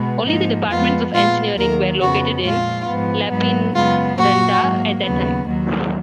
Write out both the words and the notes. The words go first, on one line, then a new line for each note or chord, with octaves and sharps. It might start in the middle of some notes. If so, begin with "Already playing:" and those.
Only the departments of engineering were located in Lappeenranta at that time.
Already playing: B2 G#3 B3
G#2 F3 A#3 D#4
F2 F3 G#3 B3 F4
A#2 G#3 B3 F4
D#2 D#3 F#3 A#3 A#4
F2 C#3 F3 B3 F#4
A#2 F3 G#3 F4
G#2 F3 B3
G#2 F#3 B3
F#2 C#3 G#3 B3 F4
A#2 F#3 A#3 F#4
G#2 F#3 A#3
D#2 C#3 F#3 B3
D#2 D#3 F#3 A#3